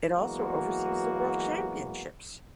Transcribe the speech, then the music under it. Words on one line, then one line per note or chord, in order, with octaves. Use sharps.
It also oversees the World Championships.
E3 F#3 G#3 A#3 B3 F#4